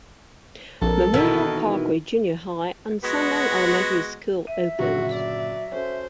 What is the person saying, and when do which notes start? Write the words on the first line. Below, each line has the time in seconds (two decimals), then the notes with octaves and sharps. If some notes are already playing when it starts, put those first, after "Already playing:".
Memorial Parkway Junior High and Sundown Elementary School opened.
0.82 A#1 C4 A4 A#4
1.14 B2 D#3 E3 F#4 A#4
3.04 G#3 B3 F#4
4.47 E5 D#7
4.79 G1 A#2 C#3 F#3 F#4
5.14 D5
5.72 C#4 F#4 A4 C5